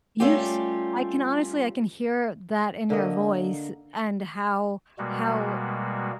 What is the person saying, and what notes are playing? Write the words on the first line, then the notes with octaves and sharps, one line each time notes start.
You s I can honestly I can hear that in your voice and how how
G3 A3 C#4 F4 G4
D3 A#3 D#5
B2 G3 G#3 A#3 F#4